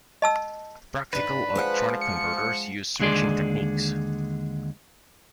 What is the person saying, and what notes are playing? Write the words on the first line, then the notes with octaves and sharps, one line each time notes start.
Practical electronic converters use switching techniques.
D#5 A5 E6
G#2 D4 D#4 B4
F3 G#3 C5 F#5
C#7
D#2 D3 G#3 G#4 D5 C6